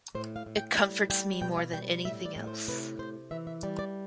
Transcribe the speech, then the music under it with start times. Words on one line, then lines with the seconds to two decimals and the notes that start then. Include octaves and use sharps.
It comforts me more than anything else.
0.15 A2 C5
0.36 F5
0.46 A2
0.57 G5
0.78 G3 G5
1.10 G3 G5
1.42 B2 G5
1.58 F5
1.73 G3 G5
2.05 A2 E5
2.25 D5
2.36 A2
2.47 C5
2.68 C3 B4
2.99 C3 C5
3.31 E3 E5
3.47 E5
3.63 G3 D5
3.79 D5